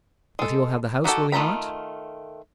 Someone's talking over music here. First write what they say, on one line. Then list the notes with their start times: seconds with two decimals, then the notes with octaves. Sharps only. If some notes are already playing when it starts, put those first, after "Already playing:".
"But he will have the house, will he not?"
0.39 G#3 A4
1.04 D#3 F#4 G4 A4 F#5
1.32 D#3 A3 F4 A#5 B5